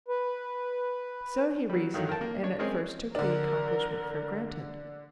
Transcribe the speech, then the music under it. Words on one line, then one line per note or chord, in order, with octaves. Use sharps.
So he reasoned, and at first took the accomplishment for granted.
B4
F#3 G3
G2 D3 D#3 F#3
A#4 G5 A5
A#3
D4 C#5
G#3 C4 C#4 A#4 D#5
D3 D4 A#4